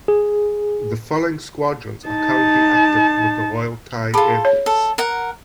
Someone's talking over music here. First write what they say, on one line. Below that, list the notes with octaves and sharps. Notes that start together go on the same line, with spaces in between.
The following squadrons are currently active with the Royal Thai Air Force.
G#4
D#4 A5
F4 G#4 A4 B5
C#5
A4
A#4 F#5